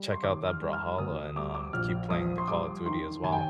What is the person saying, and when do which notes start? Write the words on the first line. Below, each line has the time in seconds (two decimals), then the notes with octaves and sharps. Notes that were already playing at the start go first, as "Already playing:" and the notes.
check out that Brawlhalla and, um, keep playing the Call of Duty as well.
Already playing: G3
0.12 C6
0.23 D#2 D6
0.48 F6
0.61 G3
0.73 F6
0.98 D2 D#6
1.35 G3 D6
1.55 D6
1.73 A#1 F6
2.10 F3 D#6
2.38 C6
2.48 G3 D6
2.86 D#3 C6
3.23 D#2 G#5
3.32 G5